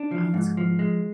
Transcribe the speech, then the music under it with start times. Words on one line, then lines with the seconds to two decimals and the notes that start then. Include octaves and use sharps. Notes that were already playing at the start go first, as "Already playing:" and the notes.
Oh, that's cool.
Already playing: D4
0.12 F3
0.34 G#2
0.57 F3
0.79 G#3